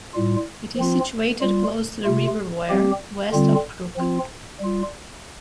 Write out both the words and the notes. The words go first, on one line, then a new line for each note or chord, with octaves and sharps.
It is situated close to the River Wear, west of Crook.
A2 G3 F4
F3 C4 F4
G3 F4
C3 A3 F4
G3 C4 G4
D3 G3 C4 F4
F3 C4 F4
G3 F4